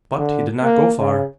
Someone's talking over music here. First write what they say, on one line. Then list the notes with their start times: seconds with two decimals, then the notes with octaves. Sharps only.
But he did not go far.
0.18 D3
0.63 A#3
0.99 C#3